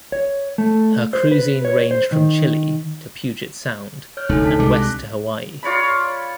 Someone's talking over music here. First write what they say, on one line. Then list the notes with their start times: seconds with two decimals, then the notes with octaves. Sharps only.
Her cruising ranged from Chile to Puget Sound and west to Hawaii.
0.12 C#5
0.58 A3
1.13 C5
1.31 B4
1.65 C#5
1.91 C5
2.12 D#3
4.17 C#5 F6 G6
4.29 F1 D2 D#4 A4 G#5
4.44 D4 A5 B6
4.59 C2 C3 G#3 D6
4.74 F#6 A#6
5.63 F4 C#5 D5 B5